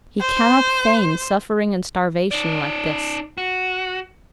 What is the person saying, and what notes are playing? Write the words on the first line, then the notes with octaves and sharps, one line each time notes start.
He cannot feign suffering and starvation like this.
C5
D#4 D5
F#4